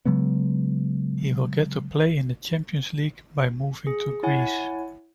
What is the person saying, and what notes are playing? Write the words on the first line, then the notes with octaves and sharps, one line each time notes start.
He will get to play in the Champions League by moving to Greece.
C#3 F#3 G#3 B3
G#4
E4 C#5 F#5 G#5 A6